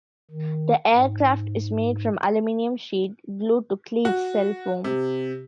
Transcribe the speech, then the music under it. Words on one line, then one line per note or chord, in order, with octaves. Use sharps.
The aircraft is made from aluminum sheet glued to Klegecell foam.
D#3
G#2
F#4
C3